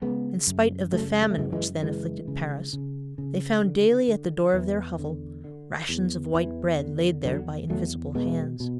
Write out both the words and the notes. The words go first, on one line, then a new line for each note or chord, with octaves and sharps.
In spite of the famine which then afflicted Paris, they found daily at the door of their hovel rations of white bread, laid there by invisible hands.
C#3 G#3 B3
F#2
C#3 F#3 A3
G#3
A3
F#2 E3 G#3
E3 G#3
C#3 E3 G#3
C#3
C#3
C#3
D3
D3
E2 E3
D3
D3
E2
E2 E3
D3
E2 D3 F#3
E2 F#3 A3
B2 G#3 B3
B2